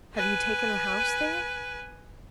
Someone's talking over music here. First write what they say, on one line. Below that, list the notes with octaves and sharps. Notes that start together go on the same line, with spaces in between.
Have you taken a house there?'
B4 G#5